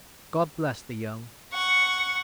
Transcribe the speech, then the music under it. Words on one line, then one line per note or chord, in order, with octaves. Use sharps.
God bless the young!
F#5 C#6